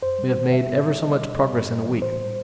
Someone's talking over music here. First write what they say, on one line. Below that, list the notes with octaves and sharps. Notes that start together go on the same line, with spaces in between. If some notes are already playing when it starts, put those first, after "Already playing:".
We have made ever so much progress in a week.
F#2 C5
G3
D#3
G3 E5
A2
G3
G3 D#5
B2
G3
G2
G3
E3
A2 C5
G3